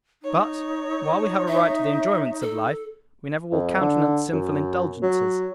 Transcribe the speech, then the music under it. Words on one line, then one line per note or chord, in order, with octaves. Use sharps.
But, while we have a right to the enjoyments of life, we never will countenance sinful indulgences.
D#4 C#5
E5
A4
F2
D3
F#2
F#3